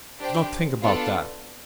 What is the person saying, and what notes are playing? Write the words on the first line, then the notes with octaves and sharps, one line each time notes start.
Do not think about that.
D4 G4 C5 G5
B3 D4 F4 A4